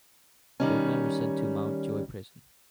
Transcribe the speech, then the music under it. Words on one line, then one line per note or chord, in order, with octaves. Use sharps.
Both men were sent to Mountjoy Prison.
D#3 G3 C#4